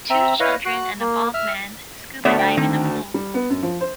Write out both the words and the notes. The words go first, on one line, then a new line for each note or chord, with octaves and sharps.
Two children and a bald man scuba dive in a pool.
C4 E5 A#5
E4 B4 C#5 D#5 F5
F#4 F#6
A#3
E5 F6
D2 A3 B3 C#5 D5
G5
D#3 C4
G3
B3
F#2
F3
C5